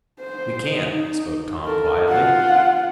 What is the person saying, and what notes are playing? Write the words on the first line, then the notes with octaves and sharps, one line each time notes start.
"We can't," spoke Tom, quietly.
C5
D#4
A4 A#4
F4 F#5